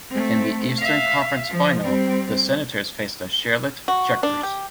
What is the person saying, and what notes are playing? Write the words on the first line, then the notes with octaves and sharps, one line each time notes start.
In the Eastern Conference final, the Senators faced the Charlotte Checkers.
A3 C4
E5 F5
F3
G3 C4
F#4
D4
G4